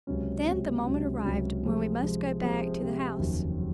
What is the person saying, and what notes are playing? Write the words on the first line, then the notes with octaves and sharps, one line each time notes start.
Then the moment arrived when we must go back to the house.
C#2 C3 F#3 C#4
C#2 C3 F#3 C#4
C#2 C3 F#3 C#4
C#2 C3 F#3 C#4
C3 F3 G#3
C3 F3 G#3
C3 F3 G#3
C3 F3 G#3
F1 D#2 C#3 F#3
F#3